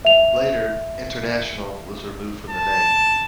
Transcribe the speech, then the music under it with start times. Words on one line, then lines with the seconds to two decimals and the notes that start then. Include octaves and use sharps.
Later, "International" was removed from the name.
0.05 E5 F7
2.50 A5